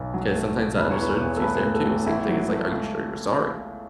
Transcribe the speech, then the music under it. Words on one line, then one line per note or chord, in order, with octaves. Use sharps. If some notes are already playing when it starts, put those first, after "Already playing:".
'cause sometimes that uncertainty is there too, same thing is like, are you sure you're sorry?
Already playing: B1 B4
F#3
A3
C#2
E1 B4
C#5
E2 B4
E1
A4
A3 B4
A2
A4
A1
A1 E4
F#3
A3
C#2